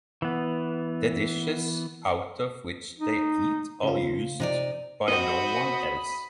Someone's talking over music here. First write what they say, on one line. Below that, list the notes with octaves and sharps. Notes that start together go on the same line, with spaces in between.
The dishes out of which they eat are used by no one else.
E3 B3
D#4
C#3 F4
C3 D#4 D5
C4 F#4 C5 D#5 B5